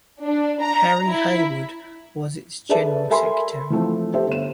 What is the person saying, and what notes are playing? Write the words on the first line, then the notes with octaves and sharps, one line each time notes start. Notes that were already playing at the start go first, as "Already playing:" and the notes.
Harry Haywood was its General Secretary.
D4
A#5
E4
G#4 A4 B4 D5 E5 A5
A4 A#4 E5 G#5 B5 C6
E3 F3 A3 C4
G4 A4 C5 E5
G1 E7